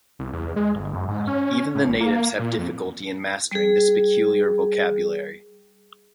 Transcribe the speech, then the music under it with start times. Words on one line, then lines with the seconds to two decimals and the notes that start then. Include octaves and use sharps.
Even the natives have difficulty in mastering this peculiar vocabulary.
0.19 C2
0.33 E2
0.56 G#3
0.75 G1
0.94 F#2
1.08 G#2
1.27 C#4
1.75 A2
1.87 G#1
2.01 A#3
2.39 A#2
2.58 F2
3.51 G3 G#4